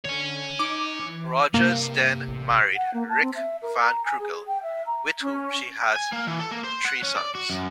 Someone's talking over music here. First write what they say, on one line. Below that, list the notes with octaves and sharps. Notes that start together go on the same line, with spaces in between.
Rogers then married Rick Van Krugel with whom she has three sons.
D3 C#5 G#5
D#4 D6
E3
G2 C3 A#3
A1
F#5
A#3
A5
C4
E5
A#4
A#5
G#5
G#4
G5
E5
A#5
C#4
G#5
A#3
E3
A4
A#3
C5
F#5
C#4
D5
F#4
F#2